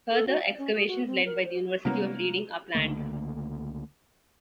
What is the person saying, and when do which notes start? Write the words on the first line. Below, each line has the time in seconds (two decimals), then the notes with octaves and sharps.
Further excavations led by the University of Reading are planned.
0.12 A4
0.28 F#4
0.43 F5
0.58 C#4
0.74 G#4
0.87 F#4
1.07 C4
1.26 A#4
1.44 C5
1.85 C3 G3 G#3 A#3 B3 C#4
2.75 C#2 D3 A3 A#3